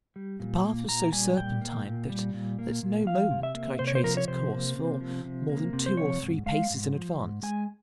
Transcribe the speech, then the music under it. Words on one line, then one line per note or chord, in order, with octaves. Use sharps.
The path was so serpentine, that at no moment could I trace its course for more than two or three paces in advance.
G3
A#2
A#3
A#2 A#5
G3 G#5
A#2 G5
A#3
A#2
G3
A#2
A#3
A#2
F3 F5
C3
E5
A#3
C3 C5
C#5
C5
F3 A#4
C#5
C3 C5
A#3
C3
F3
C3
A#3
C3
C5
F3 C#5
G#2
G#3 F5
G#2
F3
G#2
G#3 G#5